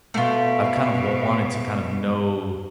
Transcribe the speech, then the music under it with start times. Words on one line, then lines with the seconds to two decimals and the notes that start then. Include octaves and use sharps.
I've kinda wanted to kind of know,
0.14 B2 A3 F4